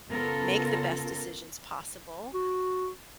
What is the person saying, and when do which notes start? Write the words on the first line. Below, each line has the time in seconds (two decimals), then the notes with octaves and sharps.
make the best decisions possible,
0.10 C#3 B3 F4 A4 A#4
2.34 F#4